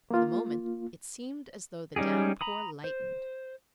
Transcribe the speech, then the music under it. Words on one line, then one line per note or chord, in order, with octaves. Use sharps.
For the moment it seemed as though the downpour lightened.
A#3 F4
G3 C#4 D#4 G4 G#4
A#5 B5 D#6
C5